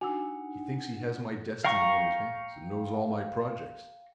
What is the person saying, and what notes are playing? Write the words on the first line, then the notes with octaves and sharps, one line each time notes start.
He thinks he has my destiny in his hands, and knows all my projects.
D4 D#4 F#4 F#5 G#5 E6
F5 G5 A#5 C#6